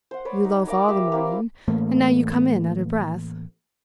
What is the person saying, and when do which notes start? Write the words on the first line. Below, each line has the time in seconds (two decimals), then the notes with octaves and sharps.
You loaf all the morning, and now you come in out of breath.
0.11 C5 F#5
0.25 B4 C#5 D5
0.45 D#4
0.67 A#4 D5 F5 A#5
0.88 G3 G4 E5
1.12 A#3 C4 E4
1.68 A2 E3 A3 A#3